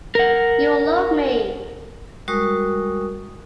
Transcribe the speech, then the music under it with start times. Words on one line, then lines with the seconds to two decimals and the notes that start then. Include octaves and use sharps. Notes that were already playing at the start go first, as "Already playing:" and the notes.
You love me.
0.15 A#4 F#5
2.28 G3 G#3 F#4 A#4 C#6 D#6